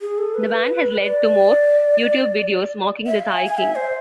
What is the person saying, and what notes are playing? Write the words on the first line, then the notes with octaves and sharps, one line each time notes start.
The ban has led to more YouTube videos mocking the Thai king.
G#4
A4
B4
D5
E5
F5
G#5
G#5
E5
C5